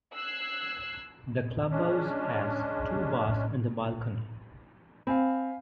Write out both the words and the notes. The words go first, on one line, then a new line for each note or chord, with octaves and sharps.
The club house has two bars and a balcony.
E6 F#6 G#6 C7
G#3 C#4 D4
C4 F5 G#5 B5